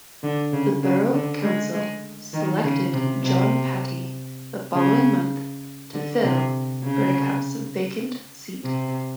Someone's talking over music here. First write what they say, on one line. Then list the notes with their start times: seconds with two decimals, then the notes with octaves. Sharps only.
The Borough Council selected John Patti the following month to fill Bertekap's vacant seat.
0.23 D3
0.53 C#3
0.83 C#3
1.13 D3
1.43 G#3
1.73 G#3
2.33 D#3
2.64 C#3
2.93 C3
3.23 C3
4.74 C#3
5.94 D3
6.24 C3
6.84 C#3
8.64 C3